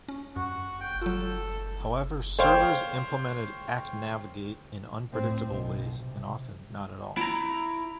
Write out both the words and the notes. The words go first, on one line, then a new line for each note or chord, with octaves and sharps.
However, servers implemented accNavigate in unpredictable ways and often not at all.
C#4
F#2 F#4
G5
F#3 F4 A4
C5 C#5 F5 G5
A2 C4
B1 B2
C3
E4 A#5